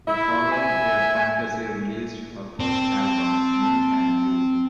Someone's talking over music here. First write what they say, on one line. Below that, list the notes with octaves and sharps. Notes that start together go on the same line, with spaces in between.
The following year Fantasy released her first album, "Me and You".
E4 E5
G#5
C4 A5